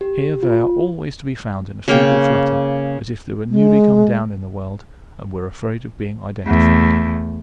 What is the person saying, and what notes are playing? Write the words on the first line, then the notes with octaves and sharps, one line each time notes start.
Here, they are always to be found in a feeble flutter, as if they were newly come down in the world, and were afraid of being identified.
G4
F4
C#3 A#3 G5
G#3
E2 A3